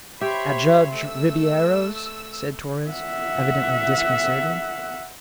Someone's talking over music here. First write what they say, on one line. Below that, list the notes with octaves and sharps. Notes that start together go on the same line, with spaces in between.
"At Judge Ribeiro's?" said Torres, evidently disconcerted.
G4 C5 C#5 E5 B5 C6
A3 E6
E5 F#5